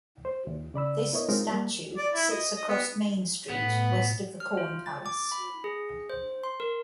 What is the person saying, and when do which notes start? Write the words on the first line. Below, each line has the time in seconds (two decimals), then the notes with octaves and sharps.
This statue sits across Main Street, west of the Corn Palace.
0.25 C5
0.47 D#2
0.74 C#3 D5 B5 E6
1.12 B3 E4 A#4 C#5 D#5
1.29 G#3 C4 D#4 F4 A#4
1.50 G3 A#3
1.98 D5
2.14 E4
2.31 D#5
2.55 D#5
2.68 B3
3.50 A2 B3
4.40 F6
4.57 F4
4.86 A6
5.06 D6
5.32 B5
5.64 G#4
6.10 C5
6.44 C6
6.60 A#4